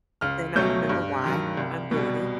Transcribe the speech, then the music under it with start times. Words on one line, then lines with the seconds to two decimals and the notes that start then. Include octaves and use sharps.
then I remember why I'm doing it.
0.21 C#2 F6
0.55 B2 F#3 A3 C#4 G6
0.89 G2
1.24 D#3 F#3
1.57 C2
1.91 B2
1.96 G3